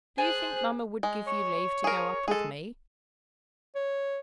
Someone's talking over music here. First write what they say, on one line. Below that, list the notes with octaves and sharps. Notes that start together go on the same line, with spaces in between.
'Do you think mamma would give you leave to go up with me?
G#4 C5 G#5 A5 F#6
G#3
C#5
G#4 A#4
G#3 G#4 A4
C#5